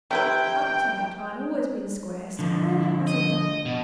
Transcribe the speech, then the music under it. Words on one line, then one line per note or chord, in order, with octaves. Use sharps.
Up to that I had always been square,--square as a die!
C3 E4 B4 G5
D3 F3
D#5
B2